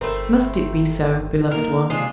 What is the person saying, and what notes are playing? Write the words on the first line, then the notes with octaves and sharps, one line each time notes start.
Must it be so, beloved one?
G1 A3 C4 A#4 B5
A#3 D#4 A#4 F6
C3 G#3 D4 F4